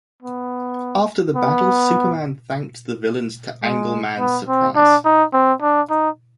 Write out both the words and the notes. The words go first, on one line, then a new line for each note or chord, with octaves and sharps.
After the battle, Superman thanked the villains to Angle Man's surprise.
B3
B3
G#3
B3
C4
D4
D#4
C4
D4
D#4